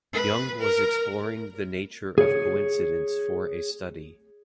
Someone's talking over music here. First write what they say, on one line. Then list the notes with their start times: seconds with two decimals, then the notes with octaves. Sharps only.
Jung was exploring the nature of coincidence for a study.
0.13 B4
0.61 A#4
2.18 G#4 C#5